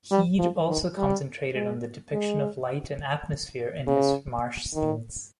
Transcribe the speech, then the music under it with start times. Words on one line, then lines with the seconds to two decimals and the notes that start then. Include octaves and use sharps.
Heade also concentrated on the depiction of light and atmosphere in his marsh scenes.
0.11 G3
0.39 F3
0.69 D#3
0.98 G3
1.55 G#3
2.13 G#3
3.87 C#3
4.75 D#3